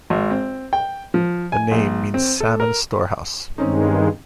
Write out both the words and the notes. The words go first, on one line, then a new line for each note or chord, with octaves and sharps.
The name means "salmon storehouse".
G#1
C4
G5
F3
G#5
A#1
C4
A4
A#4
G2 D#3 G#3 C4 C#4 D#4